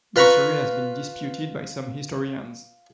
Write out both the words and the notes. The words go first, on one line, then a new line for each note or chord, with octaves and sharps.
This story has been disputed by some historians.
F4 B4 A#5 B5 C#6